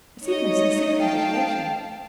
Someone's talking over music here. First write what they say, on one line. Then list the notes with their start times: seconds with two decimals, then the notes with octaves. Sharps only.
"Receive my sincere congratulation."
0.25 A3 D#4 C#5 D#5
1.00 F5 G5 A5